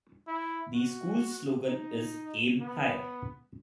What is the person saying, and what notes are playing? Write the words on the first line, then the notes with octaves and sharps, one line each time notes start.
The school's slogan is "Aim High".
E4
F#4
D#4
B3